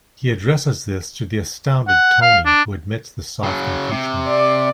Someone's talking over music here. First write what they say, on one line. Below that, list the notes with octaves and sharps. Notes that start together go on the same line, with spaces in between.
He addresses this to the astounded Tony, who admits the soft impeachment.
F#5
F5
D4
C#3 F#3
C3
D5